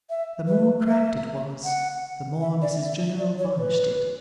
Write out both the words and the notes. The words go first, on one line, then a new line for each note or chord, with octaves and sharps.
The more cracked it was, the more Mrs General varnished it.
E5
B4
E5
F#5
E5
D5
E5
D5
C#5
B4